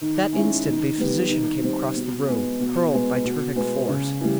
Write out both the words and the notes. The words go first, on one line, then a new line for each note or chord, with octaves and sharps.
That instant the physician came across the room, hurled by terrific force.
D#3
G#3 C#4 E4
D#3
G3 B3
D#3
G3 C4
B2
G#3 B3
B2
G#3 B3
B2
G#3 B3
C#3
E3 G3